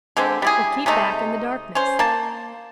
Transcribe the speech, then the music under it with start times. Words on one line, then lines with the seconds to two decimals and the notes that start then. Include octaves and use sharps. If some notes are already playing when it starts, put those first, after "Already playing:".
We'll keep back in the darkness.
0.17 D3 G#3 C4 G4
0.42 G3 E4 G#4
0.86 C3 G#3 A3 D#4
1.75 C#4 C5
1.99 A#3 A5